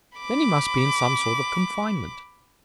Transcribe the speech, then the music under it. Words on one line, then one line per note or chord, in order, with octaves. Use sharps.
Then he must be in some sort of confinement.
B5 D6